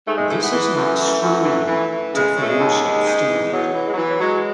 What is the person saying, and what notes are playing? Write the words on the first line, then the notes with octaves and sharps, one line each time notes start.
This is an extremely deferential standard.
G#2 A3
G#3
E3 A3
B3
E3
F#2 A3
E3
F#2
E3
E3
E3
C#3 G#3
C#3 A3
G#3
D#2
G#2 G#3
G#2
E3
E2 F#3
E3
G#3
F#3
E3
F#3
F#3 G#3